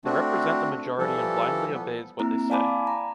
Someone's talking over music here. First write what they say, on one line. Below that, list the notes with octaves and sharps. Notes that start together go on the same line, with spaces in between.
They represent the majority and blindly obeys what they say.
A3 C4 D4 F#4
E3 F3 G3 A4
B3
A#3 C4 E4 A#5
D5 F5 G#5 A5 B5 D6
A#5